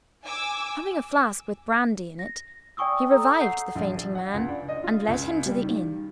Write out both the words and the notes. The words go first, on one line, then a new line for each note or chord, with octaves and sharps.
Having a flask with brandy in it, he revived the fainting man, and led him to the inn.
G#5 D6 E6
A#6
D5 G5 G#5 C#6 D#6 E6
A4 A#5 D#6 E6
F#5 G6 C7
A#1
F#5
C#2
D4
D#5
F4
C#2
G3
D#3